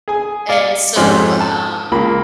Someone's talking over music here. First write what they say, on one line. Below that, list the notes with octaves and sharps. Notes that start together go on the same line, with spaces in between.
And so, um,
G#4 G#5
D5 F5
F2 G#2 C4 C#4 G4 C6
A5
C#2 A#3 F4 B5